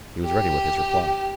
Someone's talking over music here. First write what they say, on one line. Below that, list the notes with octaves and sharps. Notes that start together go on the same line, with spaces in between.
He was ready with his reply.
G4